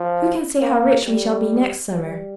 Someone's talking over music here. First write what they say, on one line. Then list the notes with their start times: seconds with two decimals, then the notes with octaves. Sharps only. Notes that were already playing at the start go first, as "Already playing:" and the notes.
Who can say how rich we shall be next summer?
Already playing: F3
0.61 A#3
1.07 G3
1.99 G3